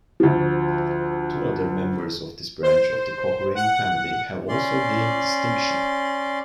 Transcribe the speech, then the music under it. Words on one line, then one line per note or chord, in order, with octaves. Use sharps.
Two other members of this branch of the Cochrane family have also gained distinction.
D2 F3
C5
F#5
C#4 D5 C6